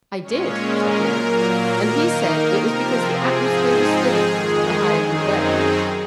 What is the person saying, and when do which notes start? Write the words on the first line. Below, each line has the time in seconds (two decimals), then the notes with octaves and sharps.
"I did," said Ned, "and he said it was because the atmosphere was thinner, the higher you get."
0.22 A#2 G#3 C#4 C#5
0.61 A#4
1.01 A#2 F#3 A#3
1.82 D#3 A#3 D#4
2.60 C3 F3 C4 A#4
3.00 G#4
3.40 G#2 F3 C4 D#4
4.19 F2 D#3 G#3
4.99 F#2 D#3 F#3 C4 D#4 G#4
5.39 G#4